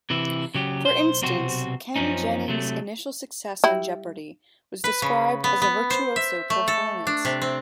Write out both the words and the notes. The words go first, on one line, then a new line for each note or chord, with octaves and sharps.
For instance, Ken Jennings' initial success on Jeopardy was described as a virtuoso performance.
C3 E3 E4
C#3 F#3 G4
B1 C5
B1 C3 C4 F#4 C5
F#2 F3 C4 C#4 D#4
C3 F#3 A3
G3 E4
B4
C#3
B3
B3
C5
E5
A3
A4
D4
C3
C4